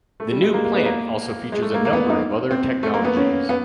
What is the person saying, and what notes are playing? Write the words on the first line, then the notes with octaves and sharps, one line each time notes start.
The new plant also features a number of other technologies.
A3
G3
G#3
A#3
A#3
B3
A#3
G#3
A3
A#3
A#3
B3
D#4
C4
A3
A#3
B3
C#4
B3